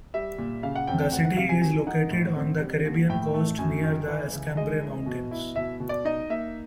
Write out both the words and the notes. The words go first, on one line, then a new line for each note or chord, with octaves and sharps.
The city is located on the Caribbean coast near the Escambray Mountains.
G3 E5
A#2
C#3 F5
F#5
F2 G5
G5
D2 F#5
F#5
C3 F5
G#5
F#3 G#5
D#4 F#5
A2
C4
G3
D#2
A2 G5
A3
F#2 G#5
D#3
E3
C#2
G#3 D#5
E3
B2
E4
B2 E5
B2
D5
D#4 D#5
A#3 E5